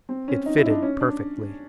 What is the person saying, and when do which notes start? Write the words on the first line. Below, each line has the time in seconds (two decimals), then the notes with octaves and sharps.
It fitted perfectly.
0.09 C4
0.28 C#4
0.46 D#4
0.58 E4
0.66 D#4
0.70 D4
0.83 C#4
1.01 D4